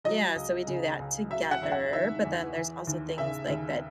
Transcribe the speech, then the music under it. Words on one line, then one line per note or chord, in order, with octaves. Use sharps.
yeah, so we do that together, but then there's also things, like, that
F#3 D#5
C#2
C#3
C#2
F#3 E5
F#5
E2 E5
F#5
D#3 E5
E2
E3
D#2
C#3 E5
D#2